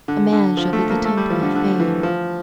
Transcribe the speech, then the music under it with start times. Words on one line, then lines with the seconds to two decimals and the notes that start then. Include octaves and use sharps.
A man shall be the Temple of Fame.
0.08 D3
0.32 D3
0.57 F3
0.73 A3
0.90 A#3
1.05 A3
1.17 G3
1.30 F3
1.43 D3
1.55 D3
1.80 E3
2.03 F3